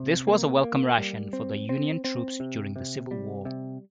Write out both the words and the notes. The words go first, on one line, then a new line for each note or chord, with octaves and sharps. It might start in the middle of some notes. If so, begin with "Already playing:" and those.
This was a welcome ration for the Union troops during the Civil War.
Already playing: C3
A#3
A#3
G3
C4
C4
C4
C3
C3
G3
C3